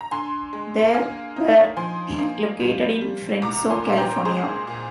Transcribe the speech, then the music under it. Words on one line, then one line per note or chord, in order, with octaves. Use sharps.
They were located in Fresno, California.
A#5
D3 G#5 C6
G#3
A#3 F5 G#5
D#4
F3 G#5 C6
A#3
G3
G3
C2 A#5 D6
G#5 C6
A#2
G5 A#5
G#3 G#4 C5
A#2